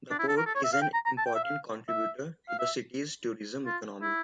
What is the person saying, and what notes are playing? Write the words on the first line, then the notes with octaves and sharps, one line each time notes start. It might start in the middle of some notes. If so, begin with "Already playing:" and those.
The port is an important contributor to the city's tourism economy.
D4
E4
A4
A#4
A4
C#5
E5
F5
G5
A#5
A#5
A5
G5
E5
F5
E5
F5
E5
F4
E4